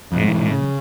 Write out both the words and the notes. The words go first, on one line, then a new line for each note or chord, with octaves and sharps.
And and
F2
G#2 E3
C#3